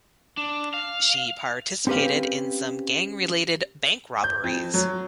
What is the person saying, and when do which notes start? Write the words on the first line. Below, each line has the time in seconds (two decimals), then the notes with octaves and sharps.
She participated in some gang related bank robberies.
0.37 D4
0.74 F5
1.87 C4 C#4 G4 B4 F5
4.24 G6
4.44 F2
4.74 F#3